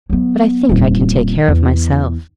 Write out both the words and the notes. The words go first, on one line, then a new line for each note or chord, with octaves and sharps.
But I think I can take care of myself.
F#3 B3
D#1 F2
E2